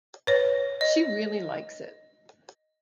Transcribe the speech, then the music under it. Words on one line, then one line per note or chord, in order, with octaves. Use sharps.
She really likes it.
B4 C#5
D#5